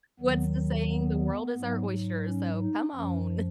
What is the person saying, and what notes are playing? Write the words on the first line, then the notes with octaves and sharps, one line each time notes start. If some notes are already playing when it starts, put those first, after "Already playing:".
What's the saying? The world is our oyster, so come on.
D#2 D#3 F#3 B3
B3
G#2 F#3
C#4
D#4
F#2 F3 C#4